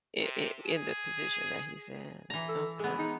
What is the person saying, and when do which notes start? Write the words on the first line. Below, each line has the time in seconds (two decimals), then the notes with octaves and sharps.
i i in the position that he's in. Okay.
0.21 C3
0.65 G#4
2.30 E3 A#5
2.49 A4
2.79 G#3 B3 G#4
2.98 D#4